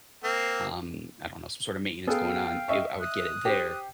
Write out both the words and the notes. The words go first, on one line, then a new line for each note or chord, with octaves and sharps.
um, I don't know, some sort of maintenance going on, it I would get it there,
A#3 C4
B3 G#4 A4 F5 G5 F6
D#5 E5 C#6
D#6 F#6
G4 C5